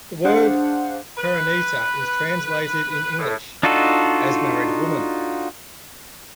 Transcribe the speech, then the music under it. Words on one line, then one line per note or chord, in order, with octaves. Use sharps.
The word "Parineeta" is translated in English as "married woman".
D4 G#4 C5 F5 F#5
B4
A2
D4 D#4 F4 F#4 A4